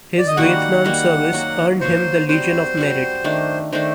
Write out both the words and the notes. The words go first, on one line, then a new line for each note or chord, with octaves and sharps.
His Vietnam service earned him the Legion of Merit.
D5
D#5
D#3 G3 A#3 F#4 F#5
D#3 G3 A#3 F#4
F#3 A#3 F#4
F#3 A#3 F#4 C5
G3 C4 F#4 C5
G3 C4 F#4
D#3 A3 D4
D#3 A3 D4 C5